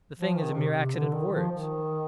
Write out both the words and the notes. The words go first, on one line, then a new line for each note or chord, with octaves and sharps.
The thing is a mere accident of words.
F3
D#3
C3
C3
D3
D#3
F3
D#3